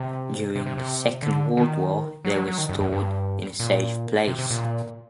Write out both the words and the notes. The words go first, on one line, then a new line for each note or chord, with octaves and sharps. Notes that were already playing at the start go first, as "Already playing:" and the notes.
During the Second World War, they were stored in a safe place.
Already playing: C3
C3
C3
C3
D3
D#3
F#3
F#3
F#3
D#3
F#2
F#2
G2
A#2
C3
C3
A#2